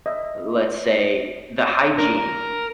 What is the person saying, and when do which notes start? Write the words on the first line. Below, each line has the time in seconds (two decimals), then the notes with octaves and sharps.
Let's say the hygiene-
0.06 D#5 E5
1.98 D4 A#4 A#5